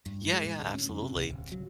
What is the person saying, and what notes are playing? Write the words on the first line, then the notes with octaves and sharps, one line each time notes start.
Yeah, yeah, absolutely.
G2
A2
G#3
A2
D2
C#4
F#2
C3
C2
D1
F#3